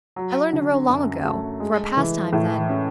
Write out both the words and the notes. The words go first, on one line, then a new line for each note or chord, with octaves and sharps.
I learned to row long ago--for a pastime then.
F#3
D3
F#2
A3
G#3
E3
A2
C#4